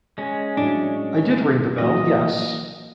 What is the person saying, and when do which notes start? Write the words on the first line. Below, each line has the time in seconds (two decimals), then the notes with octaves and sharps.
I did ring the bell, yes.
0.18 G#3 C#4
0.57 A2 F#3 D4
1.78 E3 F#3 A#3 D#5